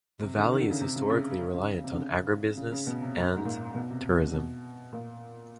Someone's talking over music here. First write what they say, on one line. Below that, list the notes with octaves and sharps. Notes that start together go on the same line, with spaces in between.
The Valley is historically reliant on agribusiness and tourism.
C3
D3
D#3
D3
C#3
C3
C#3
C#3
C#3
C3
D3
C#3
C#3
C#3
B2
C3
F#2
G#2
A#2
B2
C3
B2
A#2